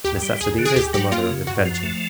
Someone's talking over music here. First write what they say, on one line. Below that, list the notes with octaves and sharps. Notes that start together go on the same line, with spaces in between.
Necessity is the mother of invention.
D#2 G4
G3
D#2 G#4
D3
G#4
D2 G4
F#3 G4
A#3 F4
C#3
F#2 F#4
F3
A3